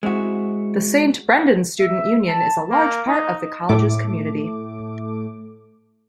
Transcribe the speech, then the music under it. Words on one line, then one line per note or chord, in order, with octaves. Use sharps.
The Saint Brendan's Student Union is a large part of the college's community.
G#3 C4 E4 F#4
E5
A5
A#3
D#4
A2 A3 D6